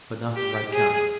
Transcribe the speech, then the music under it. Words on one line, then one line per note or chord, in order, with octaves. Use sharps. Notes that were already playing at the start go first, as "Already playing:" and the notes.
But not the right kind.
G4
G#4